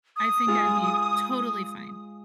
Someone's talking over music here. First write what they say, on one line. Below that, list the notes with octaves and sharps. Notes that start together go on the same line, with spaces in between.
I think I'd be totally fine.
D#6
G#3 F4